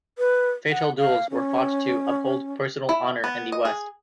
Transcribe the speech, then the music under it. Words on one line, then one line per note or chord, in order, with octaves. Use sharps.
Fatal duels were fought to uphold personal honor in the West.
B4
F#5
F5
C#4
E4
B3
D#5
G#4